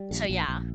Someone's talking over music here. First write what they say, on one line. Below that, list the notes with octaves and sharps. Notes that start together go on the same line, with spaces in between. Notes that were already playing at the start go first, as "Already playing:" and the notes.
so yeah.
Already playing: G3
A#1
A#1
A#1